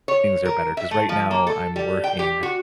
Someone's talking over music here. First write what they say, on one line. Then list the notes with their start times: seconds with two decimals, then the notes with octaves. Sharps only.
things are better. 'Cause right now, I'm working
0.08 C#5
0.45 A#4
0.77 E5
0.91 A3
1.09 F3
1.31 A#3
1.47 A4
1.76 G3
2.04 G5
2.19 G4
2.43 F#4